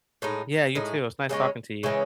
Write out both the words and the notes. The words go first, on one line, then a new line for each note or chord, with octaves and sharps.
Yeah, you too. It was nice talking to you.
A2 G#3 D#4
A2 G#3 D#4
C#3 E3 G#3 C#4
C#3 E3 G#3 C#4